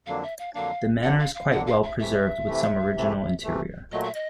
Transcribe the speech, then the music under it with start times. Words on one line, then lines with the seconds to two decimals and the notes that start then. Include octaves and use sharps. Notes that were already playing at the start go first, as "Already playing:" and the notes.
The manor is quite well preserved with some original interior.
0.06 F2 D3 F#3 A#3 D4 F5
0.23 E5
0.39 F5
0.54 F2 D3 F#3 A#3 D4 F5
1.03 F2 D3 F#3 A#3 D4 F#5
1.19 F5
1.35 F5
1.51 F2 D3 F#3 A#3 D4 F#5
1.67 F5
1.83 E5
1.99 C3 E3 A3 E5
2.47 C3 E3 A3
2.96 C3 E3 A3
3.44 C3 E3 A3
3.92 A#2 F#3 A3 D#5
4.03 E5
4.14 D#5